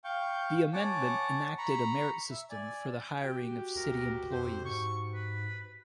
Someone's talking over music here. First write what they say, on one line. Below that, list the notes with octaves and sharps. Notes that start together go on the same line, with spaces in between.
The amendment enacted a merit system for the hiring of city employees.
F5 G5 C#6 G6
C#5 F#5 G#5 A5 D6
A#5 B5 C#6
E5
D5 G#5
F#4 G4 G5
D2 A#4
F2 C5
G#2 C#6
B4